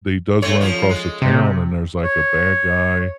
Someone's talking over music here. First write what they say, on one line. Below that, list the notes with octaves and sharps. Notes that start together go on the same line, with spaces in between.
He does run across the town and there's, like, a bad guy
A3 C4 C#5
F3 C#4
G#3
C3
C#5